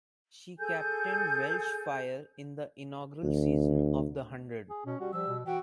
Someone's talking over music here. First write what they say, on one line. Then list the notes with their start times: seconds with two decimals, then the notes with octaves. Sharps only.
She captained Welsh Fire in the inaugural season of The Hundred.
0.59 G#4 A4 G#5 G6
3.23 D2
4.70 G#4
4.86 B2 C#4
5.00 G3 F#4
5.13 F3 G3 E6
5.28 B2
5.46 E3 F#4 G5